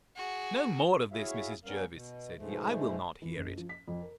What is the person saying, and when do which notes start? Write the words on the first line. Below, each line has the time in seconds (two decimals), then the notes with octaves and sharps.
No more of this, Mrs. Jervis! said he; I will not hear it.
0.16 F#4 G#4
1.12 E4 F#4 G#4 C#5 E5 F5
1.65 G3 B3 C#4 A#4 F5
1.91 B2
2.37 G#2 B2 F3 G#3 A3
3.22 E3
3.36 F#1
3.57 F3
3.69 B6
3.88 F2
4.02 A#4